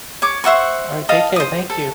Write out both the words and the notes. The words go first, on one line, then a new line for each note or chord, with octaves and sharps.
All right, take care, thank you.
C#5 D6
C5 E5 F#5 C#6
D#5 F5 A5
C5 D#6
A4